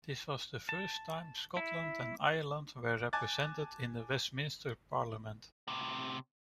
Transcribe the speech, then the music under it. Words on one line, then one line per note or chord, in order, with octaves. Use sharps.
This was the first time Scotland and Ireland were represented in a Westminster Parliament.
A5
E4
G#5 A5 D6 F#6 A6
A2 C3